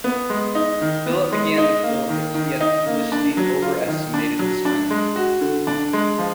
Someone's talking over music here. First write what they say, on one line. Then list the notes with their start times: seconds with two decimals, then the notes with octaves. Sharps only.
Philip began to feel that he had foolishly overestimated his strength.
0.04 B3
0.30 G#3
0.55 D#4
0.81 D#3
1.06 B3
1.32 G#3
1.58 D#4
1.83 A#3
2.09 D#3
2.34 D#3
2.60 D#4
2.86 A#3
3.12 D4
3.37 F#3
3.62 F4
3.88 D#3
4.14 D4
4.39 F#3
4.65 D4
4.90 G#3
5.16 F#4
5.41 D3
5.67 D4
5.93 G#3
6.18 F3